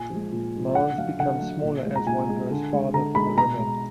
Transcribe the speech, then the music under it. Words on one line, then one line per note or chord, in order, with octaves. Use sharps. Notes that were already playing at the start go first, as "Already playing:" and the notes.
Mounds become smaller as one goes farther from the river.
Already playing: A#2 G#5
F3 G#3
A#2
F3 G#3
D3 F#5
F#3 F5
D3 F#5
F#3
A#2
G#3
A#5
A#2 G#5
G#3
D3
G#3
D3 A#5
G#3 B5
B2 A#5
G#3